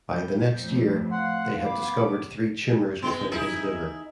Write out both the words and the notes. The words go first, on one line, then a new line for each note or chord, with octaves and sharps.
By the next year, they had discovered three tumors within his liver.
G3 G6
F2 A2
F5 F#5 C6
B3 B5 D6
G#3 B3
D#4 E4 G#4